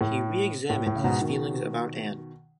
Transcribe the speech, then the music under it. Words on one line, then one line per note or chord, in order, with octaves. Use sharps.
He re-examines his feelings about Anne.
A2
A2
A2
C#3
G#2 B2
B2 D#3